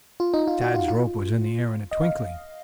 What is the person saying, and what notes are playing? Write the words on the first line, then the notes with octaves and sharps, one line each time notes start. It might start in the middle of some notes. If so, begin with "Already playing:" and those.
Tad's rope was in the air in a twinkling.
F4
D#4
F4
F#4
F4
F4
D#5
F5